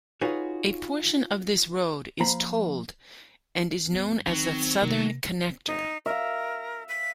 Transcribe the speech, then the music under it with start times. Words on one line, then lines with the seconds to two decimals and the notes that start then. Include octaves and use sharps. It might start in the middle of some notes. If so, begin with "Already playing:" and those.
A portion of this road is tolled and is known as the "Southern Connector".
0.21 D#4 F4 F#4 G#4 B4 C#5
2.21 F3 A#3 C5 A#5 B5
3.92 G2 F3 B3
4.27 D#3 F#3 B3 C4
4.81 C3 D#3 A#3
5.67 D#4
6.06 A#4 E5 F5
6.89 B6